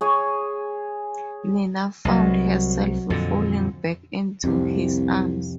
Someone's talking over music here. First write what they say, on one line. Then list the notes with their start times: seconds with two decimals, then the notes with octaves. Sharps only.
Nina found herself falling back into his arms.
0.01 G#4 C#5 G#5
2.05 C2 F#3 B4 D#5
3.10 F2 A#2 D3 A4
4.44 C2 F2 C3